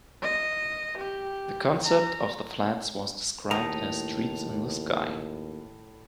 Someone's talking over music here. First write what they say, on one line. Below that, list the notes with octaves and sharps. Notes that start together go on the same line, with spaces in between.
The concept of the flats was described as streets in the sky.
D#5
G4
A#5
D#2 A2 A#5 D#6